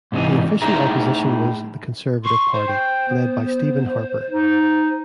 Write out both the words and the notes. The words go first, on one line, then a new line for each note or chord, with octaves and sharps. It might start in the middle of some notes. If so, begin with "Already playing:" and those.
The Official Opposition was the Conservative Party, led by Stephen Harper.
G#2 C3 D#3 E3 D#4
A2 D#4 E4 G#4 A#5
C6 C#6
C5
G5
B3
D#4